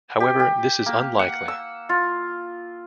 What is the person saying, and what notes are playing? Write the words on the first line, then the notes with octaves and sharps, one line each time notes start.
However this is unlikely.
G4
G4
A#3
F#5
E6
F4